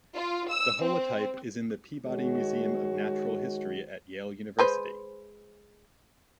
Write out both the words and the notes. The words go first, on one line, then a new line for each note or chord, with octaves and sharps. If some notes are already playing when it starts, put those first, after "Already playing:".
The holotype is in the Peabody Museum of Natural History at Yale University.
F4
E6
C4
D#3 G#3 F#4 C#5
G#3 B4 C5